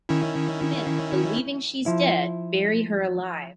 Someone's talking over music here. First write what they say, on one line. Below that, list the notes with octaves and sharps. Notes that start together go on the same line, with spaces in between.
The two men, believing she's dead, bury her alive.
D#3 C#4 E4
F3 E4